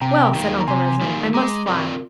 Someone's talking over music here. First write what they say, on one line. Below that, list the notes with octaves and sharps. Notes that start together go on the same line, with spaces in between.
'Well,' said Uncle Reginald, 'I must fly.
C3 G5 A#5
D#3 G3 A#3
A#5
C3 G#5 C6
D#3 G3 A#3
G#3 A#5 D6
C4 F4 A#4 D5